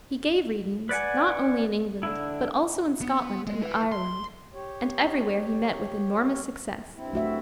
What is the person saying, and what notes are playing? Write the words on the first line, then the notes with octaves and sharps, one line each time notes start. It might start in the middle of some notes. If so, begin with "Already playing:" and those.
He gave readings, not only in England, but also in Scotland and Ireland, and everywhere he met with enormous success.
B4 D5 F#5 G#5
D3 E4
B3
G#3
E4 B4
C6
G4 C#5
G2 C4 E4
A3 F#4 E5